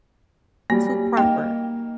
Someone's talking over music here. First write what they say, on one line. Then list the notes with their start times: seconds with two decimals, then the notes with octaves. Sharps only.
too proper
0.70 F#3 G3 A#3
1.17 A#3 D#4 G5